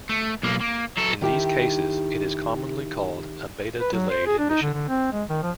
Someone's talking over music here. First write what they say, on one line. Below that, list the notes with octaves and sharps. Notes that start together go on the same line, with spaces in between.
In these cases it is commonly called a "beta-delayed" emission.
A3
B1 A#3
A#3
F#3 A4
D#3 E4 G4
B4
F#3
C5
G#4
D4
D#4
D3
D3
C4
G#3
D#3
F3